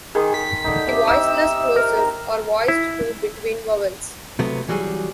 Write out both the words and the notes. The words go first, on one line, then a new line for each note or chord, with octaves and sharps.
The voiceless plosive are voiced to between vowels.
D#3 G#4 C6
B6
D3 D#4
C3
D#4 E5 G5 E6
A#4
E4
C3 F#3 A3 B3
E3 F#3 G3 F#4 G#4